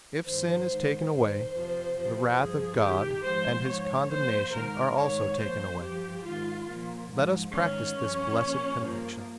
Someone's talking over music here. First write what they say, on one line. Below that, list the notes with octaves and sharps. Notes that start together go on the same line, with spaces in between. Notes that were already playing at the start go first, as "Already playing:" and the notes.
If sin is taken away, the wrath of God and His condemnation are also taken away. Let us practice this blessed conviction.
G2 D#3 C5
G#2 D#3
G2 D#3 C5
F2 C3 F3
F2 C3 F3
G2 F3 G#4
G2 D#3 G4
G#2 F3 C5
G#2 F3 C#5
A#2 F3 C5
G#2 D#3 A#4
G#2 D#3 C#5
A#2 F3 C5
G2 F3 G4
G#2 D#3 F4
A#2 F3
G#2 F3
G#2 D#3 C#4
G2 F3
A#2 F3
G2 F3 A#3